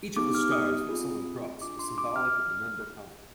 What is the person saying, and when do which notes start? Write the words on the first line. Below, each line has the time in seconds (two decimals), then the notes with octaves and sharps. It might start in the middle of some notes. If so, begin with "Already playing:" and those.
Each of the stars of the Southern Cross was symbolic of a member colony.
0.16 B3 D#4 G4 D6
0.35 F6
0.52 D#6
0.89 C4 F4 G#4
1.62 D4 F4 G#4 D6
1.79 C6
1.98 D6
2.16 F6